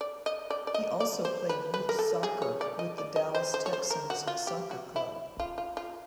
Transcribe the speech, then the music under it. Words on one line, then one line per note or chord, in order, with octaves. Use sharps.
He also played youth soccer with the Dallas Texans Soccer Club.
D5
D#5
D5
D5
D#5
D5
C5
B4
B4
A#4
A4
G#4
C#5
D5
D#5
D5
D#5
C5
C5
C#5
C5
A#4
F#4
F4
G4
F#4
E4
F4
F4
F4